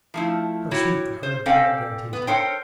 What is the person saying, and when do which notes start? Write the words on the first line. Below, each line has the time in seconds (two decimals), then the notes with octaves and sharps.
How sweet the hard pilot-bread tasted!
0.14 F3 A3 E4
0.71 E4 F#4 G4 C#5
1.23 C5
1.46 C4 C#4 A4 D5 F5 G5
2.13 B3
2.27 A4 A#4 C5 C#5 G5